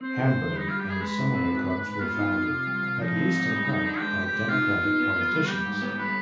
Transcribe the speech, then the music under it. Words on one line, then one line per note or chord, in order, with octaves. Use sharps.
Hamburg and similar clubs were funded, at least in part, by Democratic politicians.
C4 C5
D3
D3
G3
D#4
G3 F4
G3 G4
G#4
G#3 B4
G2
C4
G#2
G#2
G#2
B3 F4
D#4
B2
C3
G3
C3
F3 D#4
C4
G#2
G3
D#3
D4
G#3 G4
B2
G4
G#3
D#3 F4
B3
D#4
B3
B3
G3
G3 G4
G#2
B3
G3 B4